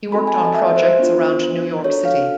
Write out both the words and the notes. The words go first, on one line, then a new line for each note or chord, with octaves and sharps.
He worked on projects around New York City.
C4 D#4 F#4 A4 B5
G#5
A5
D#5
E5
C5
B3 D4 F4
D4 F#4 A4 C#5
F5